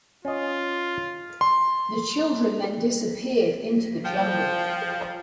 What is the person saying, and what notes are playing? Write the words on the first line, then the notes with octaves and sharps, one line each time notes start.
The children then disappeared into the jungle.
C#4 F4 D#5
C6
F3 G5